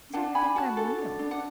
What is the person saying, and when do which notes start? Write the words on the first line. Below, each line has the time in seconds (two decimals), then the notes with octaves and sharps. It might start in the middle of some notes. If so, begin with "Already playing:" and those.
They don't think I'm real.
0.13 D4 F#5 A5
0.35 D4 G#5 B5
0.56 F#4 F#5 A5
0.77 A4
0.98 D4
1.19 D4
1.31 F#5